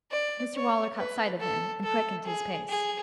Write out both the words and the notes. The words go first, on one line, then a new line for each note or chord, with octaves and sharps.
Mr Waller caught sight of him and quickened his pace.
D5
C#5
B4
A4
A4
G#4
G#4